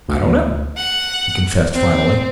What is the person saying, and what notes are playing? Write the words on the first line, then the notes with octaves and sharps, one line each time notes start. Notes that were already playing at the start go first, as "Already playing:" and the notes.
"I don't know," he confessed finally.
D2
F#5
C4